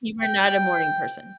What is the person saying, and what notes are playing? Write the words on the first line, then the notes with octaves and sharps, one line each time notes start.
You are not a morning person?
G5